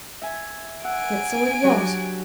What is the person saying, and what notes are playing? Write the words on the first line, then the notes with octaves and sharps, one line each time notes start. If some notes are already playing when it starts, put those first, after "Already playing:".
Yet so it was.
E5 G#5
F#5 G#5 E6 D7
F#3 D4 G4